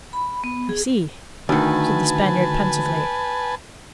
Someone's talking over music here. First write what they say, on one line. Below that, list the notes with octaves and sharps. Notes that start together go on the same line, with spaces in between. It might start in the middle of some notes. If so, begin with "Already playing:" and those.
"I see," said the Spaniard pensively.
B5
B3
G#4
D2 D#3 B4 G#5 A5